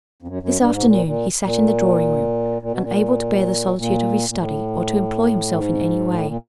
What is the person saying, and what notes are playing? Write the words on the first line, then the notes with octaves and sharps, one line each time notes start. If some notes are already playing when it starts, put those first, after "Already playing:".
This afternoon, he sat in the drawing-room, unable to bear the solitude of his study, or to employ himself in any way.
F2
F#2
F#2
G2
G#2
B2
A#2
A#2
A#2
A#2
B2
A#2
A#2
A#2
A2
G#2
A2
A#2